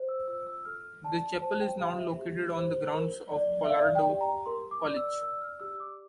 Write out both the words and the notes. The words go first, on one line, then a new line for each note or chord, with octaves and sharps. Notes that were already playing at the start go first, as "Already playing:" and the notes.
The chapel is now located on the grounds of Colorado College.
Already playing: C5
E6
F4 E6
E6
A4 F6
D5 A5
C5 A5
G5
G4 F5
E5
G4
C5
A#4
D5
E5
D5 F5
G5
G4
A#5
A#4 C6
D6
D5
E6
D5 E6
F6
G4 E6
D6